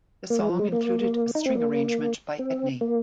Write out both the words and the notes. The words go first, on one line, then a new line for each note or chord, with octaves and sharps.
The song included a string arrangement by Edney.
A#3
G#3
F3
G#3
A#3
D#4
C4
A#3
C4
A#3